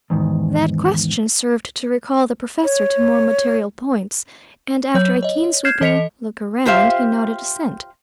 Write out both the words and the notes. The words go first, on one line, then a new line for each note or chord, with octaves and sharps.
That question served to recall the professor to more material points, and, after a keen, sweeping look around, he nodded assent.
E2 G#2 D#3
C#5
F#3 C#5 G6
C#5 D#5
F6 G6 G#6 C7 E7
E3 A4 D#5 B6 C#7 F7
F4 G4 C5 E5 F5